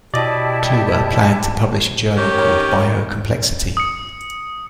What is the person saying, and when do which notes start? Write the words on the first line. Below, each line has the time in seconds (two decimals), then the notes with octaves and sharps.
Kluwer planned to publish a journal called "Biocomplexity".
0.14 B2 E4 G4 D5 D#5 A5
2.17 D#3 C#4 G4 C#5
3.77 D#6 C#7